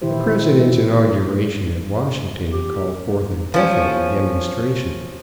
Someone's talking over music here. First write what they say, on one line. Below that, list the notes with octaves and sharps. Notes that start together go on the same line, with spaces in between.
The President's inauguration at Washington called forth a deafening demonstration.
A#2 D#3 E3 E4 G4 C5
G4
F3 C#4